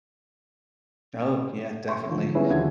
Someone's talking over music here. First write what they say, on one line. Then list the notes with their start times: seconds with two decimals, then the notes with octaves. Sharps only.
Oh, yeah, definitely
1.88 C6 C#6
2.08 D3 F3
2.35 G3 B3 C#4 E4 G#4
2.50 D#2 D3 F3 G#4 F#5 G#6